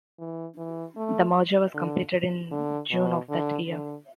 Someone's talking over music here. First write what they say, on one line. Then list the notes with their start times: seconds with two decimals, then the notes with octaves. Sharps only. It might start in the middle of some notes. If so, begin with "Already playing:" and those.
The merger was completed in June of that year.
0.19 E3
0.58 E3
0.96 A3
1.74 D3
2.51 D3
2.91 B2
3.29 D3
3.68 D3